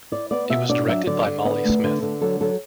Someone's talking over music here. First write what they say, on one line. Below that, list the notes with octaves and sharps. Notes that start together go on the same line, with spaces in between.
It was directed by Molly Smith.
E4 D5
B3 D5
B2 E5
D4 D5
F#3 E5
D3 D5
D3
B3
A3
D3
D3
F#3 A4
F#3 A4